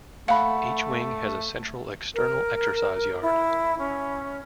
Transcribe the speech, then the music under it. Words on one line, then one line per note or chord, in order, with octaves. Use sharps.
Each wing has a central external exercise yard.
A3 F5 F#5 B5
A#4
E4
C#4